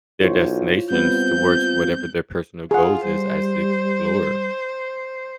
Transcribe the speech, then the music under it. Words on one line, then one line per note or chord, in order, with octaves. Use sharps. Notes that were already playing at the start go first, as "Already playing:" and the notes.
their destinations, towards whatever their personal goals is as they explore.
B1 E4 F4 C5 C#5
G3 B3 C4 B4 G6
F4 G#4 F#5
G3 C5